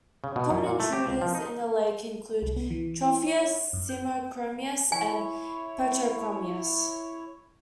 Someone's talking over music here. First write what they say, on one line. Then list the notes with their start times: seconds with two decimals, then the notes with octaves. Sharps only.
Common intruders in the lake include "Tropheus", "Simochromis", and "Petrochromis".
0.24 C#3
0.36 B2
0.50 F#2
0.66 A#2
0.80 A3
0.93 G4
1.07 C#2
1.21 F3
1.35 D#4
2.42 C2
2.56 B3
2.70 E3
3.01 E4
3.27 C#5
3.73 F#2
3.89 G6
4.92 E4 C#5 G#5